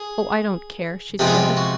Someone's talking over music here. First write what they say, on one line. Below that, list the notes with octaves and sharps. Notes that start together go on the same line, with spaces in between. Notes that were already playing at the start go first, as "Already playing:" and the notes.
"Oh, I don't care!" she said.
Already playing: G#4
C3 F3 G#3 B3 G4
G#4
G4
F#4